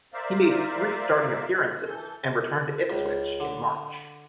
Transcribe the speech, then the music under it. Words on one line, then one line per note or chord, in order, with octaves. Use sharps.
He made three starting appearances and returned to Ipswich in March.
A#4 C5 D5 E5 F5
E3 A4 G6
C#2
D3